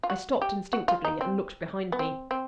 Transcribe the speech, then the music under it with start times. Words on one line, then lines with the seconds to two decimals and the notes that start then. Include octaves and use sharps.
I stopped instinctively, and looked behind me.
0.03 F4
0.10 F#4
0.42 G4
0.73 F#4
0.88 F4
1.05 D#4
1.21 C4
1.92 B3
1.99 C4
2.31 C4